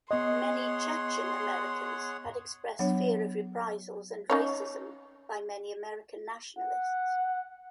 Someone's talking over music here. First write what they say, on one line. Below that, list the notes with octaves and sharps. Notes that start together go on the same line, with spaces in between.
Many Chechen Americans had expressed fear of reprisals and racism by many American nationalists.
B3 G#4 C#5 D#5 F#5 C6
F#3 B3 D4 C#5
C#4 D#4 C#5
F#5